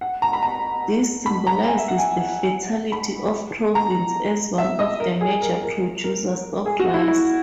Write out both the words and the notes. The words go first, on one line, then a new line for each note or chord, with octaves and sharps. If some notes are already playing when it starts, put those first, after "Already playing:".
This symbolizes the fertility of province as one of the major producers of rice.
F#5
A#5
B5
A#5
B5
A#5
G#5
E5
F#5
G#5
B5
A#5
E5
D#5
A#4
G#4
A#4
A#4
A#4
G#4
F#4
E4
E4